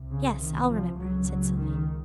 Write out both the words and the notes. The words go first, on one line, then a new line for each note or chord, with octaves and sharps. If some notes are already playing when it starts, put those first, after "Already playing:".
"Yes, I'll remember," said Sylvie.
Already playing: C2 C3
C#3
D#3
F3
C#2 C#3 F#3
F#3
D#3